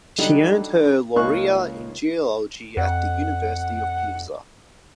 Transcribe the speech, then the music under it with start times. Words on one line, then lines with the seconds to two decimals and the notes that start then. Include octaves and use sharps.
She earned her laurea in geology at the University of Pisa.
0.18 F#3 G3 A3 D4 D#4 G4
1.16 C#2 A#3 D#4 F5 C#6 F#6
2.77 F2 F#5